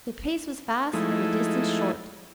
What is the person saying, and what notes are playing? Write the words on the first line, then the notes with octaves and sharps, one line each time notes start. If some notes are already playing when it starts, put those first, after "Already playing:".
The pace was fast and the distance short.
F3 G#3 A3 D#4 E4